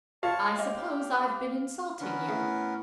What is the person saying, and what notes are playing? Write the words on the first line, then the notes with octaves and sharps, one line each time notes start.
I suppose I've been insulting you.
F4 C#5 F5 A5
G#3 G4 C#5 D#5
D3 B3 C#4 A#4
A2 G#4 E5